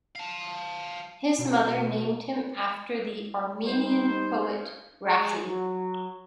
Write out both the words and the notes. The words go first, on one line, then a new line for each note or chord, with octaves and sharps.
His mother named him after the Armenian poet Raffi.
F5 A5
B2
G3 D#4 C5
G#3
F#3